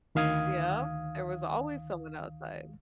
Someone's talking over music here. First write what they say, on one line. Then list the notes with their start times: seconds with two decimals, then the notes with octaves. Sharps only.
Yeah, there was always someone outside.
0.15 D2 D#3 F5 D#6 G#6